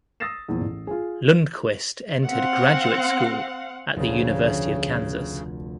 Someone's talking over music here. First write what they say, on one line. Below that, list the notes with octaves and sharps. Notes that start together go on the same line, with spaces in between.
Lundquist entered graduate school at the University of Kansas.
D#6 E6 A6 A#6 C7 E7
E2 A#2 F3
A1
F4 G#4
C4 F5 F#5
F1 D2 C#3